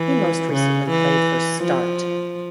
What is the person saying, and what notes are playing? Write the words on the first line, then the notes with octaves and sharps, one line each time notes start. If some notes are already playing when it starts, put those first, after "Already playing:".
He most recently played for Start.
Already playing: E3
C#3
E3
F3